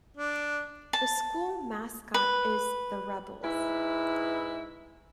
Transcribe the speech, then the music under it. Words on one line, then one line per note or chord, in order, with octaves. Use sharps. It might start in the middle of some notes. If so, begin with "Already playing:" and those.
The school mascot is the Rebels.
D4
A5
B4
G#2 E4 B4